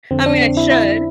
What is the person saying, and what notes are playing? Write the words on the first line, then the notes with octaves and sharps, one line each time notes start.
I mean, I should,
F2 D3 C4
D4
C4
E4
E4